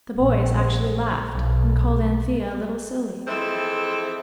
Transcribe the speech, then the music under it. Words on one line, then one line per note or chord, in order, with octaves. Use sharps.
The boys actually laughed, and called Anthea a little silly.
A#1
B1
E3 F3 G#3 C4 A4 E5